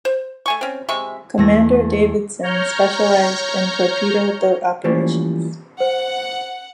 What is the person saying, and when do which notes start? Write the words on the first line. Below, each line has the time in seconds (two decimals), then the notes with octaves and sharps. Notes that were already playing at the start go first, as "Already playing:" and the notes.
Commander Davison specialized in torpedo boat operations.
0.05 C5
0.46 A3 G#5 C#6
0.61 C4 C#4
0.89 C3 G#3 E5 C#6
1.38 E2 A3 A#6
2.43 C#5 A#5 F6 G6
4.84 E3 F3 G3 A3 A#3 C#4
5.80 C5 F#5